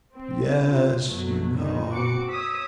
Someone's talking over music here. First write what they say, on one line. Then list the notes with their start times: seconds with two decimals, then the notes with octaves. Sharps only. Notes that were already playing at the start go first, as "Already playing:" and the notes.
Yes, you know ...
0.16 C4
0.67 F4
1.05 F#2 B2 F#3 A3
1.55 D3 D#3 D#4
1.92 C4 F#4 D6 C#7
2.31 C#5 D#6 E6 B6